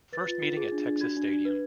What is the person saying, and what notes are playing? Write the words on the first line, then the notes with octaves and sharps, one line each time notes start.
First meeting at Texas Stadium.
B4 A6
F4
F4
G#4
D4
D4
F#4 G#6
D4
D4
B4